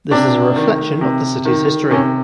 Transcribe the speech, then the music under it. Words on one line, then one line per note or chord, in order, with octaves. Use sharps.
This is a reflection of the city’s history.
C3 D4
D#3
C3
D#3
C3 C#4